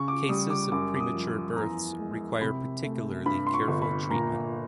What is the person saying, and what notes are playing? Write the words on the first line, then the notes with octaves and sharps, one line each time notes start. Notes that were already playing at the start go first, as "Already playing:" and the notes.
Cases of premature births require particularly careful treatment.
Already playing: C#3 C#6
D6
G3 D#6
D6
F#2 D6
D6
D#6
F3
D6
E2 A#5
G#3
C3 B5
A3
G2 B5
C6
C#6
G1
B5
A#2 A#5